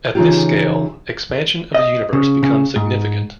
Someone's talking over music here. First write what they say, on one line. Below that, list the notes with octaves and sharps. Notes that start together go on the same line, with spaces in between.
At this scale, expansion of the universe becomes significant.
C#3 E3 G#3 D#4 F4 G4
D#5
C#3
C#3
G#2